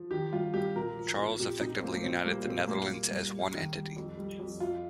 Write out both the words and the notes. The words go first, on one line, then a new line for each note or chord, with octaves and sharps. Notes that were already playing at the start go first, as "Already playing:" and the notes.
Charles effectively united the Netherlands as one entity.
Already playing: F3
D#3 G4
G2 F4
G2 G4
A#2 A#4
F3
A#2
A#2 G4
A#2 D#4
C4
F3 A#3
A#3
A#2 C4
G3 A#3
A#2 C4
G3 A#3
G3
G2
G3
D#3
G3
F2
G3
F2
F2 F4